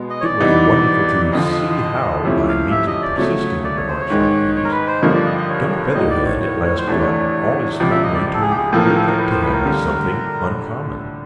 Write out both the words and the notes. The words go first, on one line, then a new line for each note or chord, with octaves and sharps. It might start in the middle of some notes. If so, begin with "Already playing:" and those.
It was wonderful to see how, by means of persisting in remarks like these, young Featherhead at last got all his family to look up to him as something uncommon.
Already playing: B2 G#3 B3
D#5
C#5
D5
C3 E3 G3 B3 D#4
F2 D3 F3 D#5
C3 F3 A3 C#4 E4
F5
E5
D#5
D5
C#3 F#3 A3 C#5
D5
C#5
C5
C#5
G#2 D#3 G#3
C#5
A#4
B4
C5
G2 D3 F3 A#3 C#5
D5
D#5
D#5
C#5
A2 F#3 A#3 D#4 D#5
D5
C#5
C#5
C#5
C5
E2 C3 E3 A3 D4 C#5
C#2 C3 F3 D5
E5
D#5
D5
A4
G#4
G4
G#4
A2 F3 A#3 A4
A#4
A4
A#4
B4
C5
B4
A#4
D3 G3